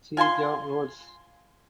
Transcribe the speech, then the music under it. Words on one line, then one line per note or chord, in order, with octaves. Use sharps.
Siege of Rhodes.
F4 G#5 A5 C6